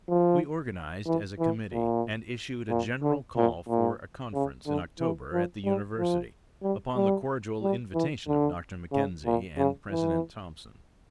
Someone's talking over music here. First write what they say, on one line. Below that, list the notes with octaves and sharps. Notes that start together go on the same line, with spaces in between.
We organized as a committee, and issued a general call for a conference in October at the university, upon the cordial invitation of Dr. McKenzie and President Thompson.
F3
E3
E3
A#2
A#2
D3
A#2
A#2
C#3
D3
E3
F3
G3
F3
G3
G3
G3
E3
D3
C#3
A#2
C#3
E3